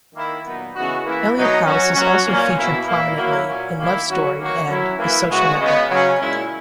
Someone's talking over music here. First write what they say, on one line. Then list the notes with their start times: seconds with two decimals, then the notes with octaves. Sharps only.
Eliot House is also featured prominently in "Love Story" and "The Social Network".
0.15 D#3 A#3 E4
0.46 A#2 F#3 B3 D#4
0.75 C#3 E3 B3 D#4 F#4
1.05 E3 A#3 E4
1.36 B2 F#3 B3 D#4
1.66 F#3 C#4 F#4
1.96 F#3 C#4 F#4
2.27 A#2 A#3 C#4
2.58 B2 A#3 E4
2.87 A#2 A#3 E4
3.18 F#3 A#3 E4
3.48 A#2 F#3 A#3 C#4
3.78 D#3 A#3 E4
4.09 D#3 F#3 C#4 F#4
4.38 D#3 A#3 C#4 F#4
4.68 F#3 C#4 E4
4.98 E3 A#3 E4
5.29 C#3 G#3 B3 F#4
5.59 C#3 G#3 B3
5.90 C#3 F#3 C#4
6.20 A#2 G#3 C#4 E4